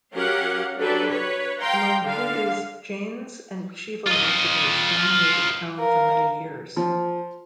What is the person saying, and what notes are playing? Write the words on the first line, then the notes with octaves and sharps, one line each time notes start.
Among Hindus, Jains and Shiva worshipers dominated town for many years.
F#3 C#4 G4 A#4 F5 F#5
F#3 D4 G4 A4 B4
B4 C#5
F5 G5 A#5 C6
D3 F5
F4 D#5
A#4 F5
F3